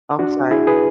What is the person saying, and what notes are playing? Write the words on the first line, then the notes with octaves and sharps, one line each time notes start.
Oh, I'm sorry.
D4 F#4
E4 G#4
G#4 B4